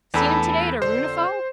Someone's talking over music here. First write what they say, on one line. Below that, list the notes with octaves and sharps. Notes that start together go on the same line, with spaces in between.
Seen him today at a runefal?
E2 E3 A3 D4 A4 B5
F2 D3 C5